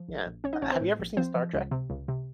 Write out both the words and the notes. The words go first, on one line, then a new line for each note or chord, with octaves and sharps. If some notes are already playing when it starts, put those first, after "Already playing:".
Yeah. Uh, have you ever seen Star Trek?
Already playing: F3
A#1
A#1
A#1 C#4 C#5
D#4 D#5
A#1 C#4 C#5
C4 C5
A2
A#1
F3 C4 C5
F3
C#2
C3
C#2
C3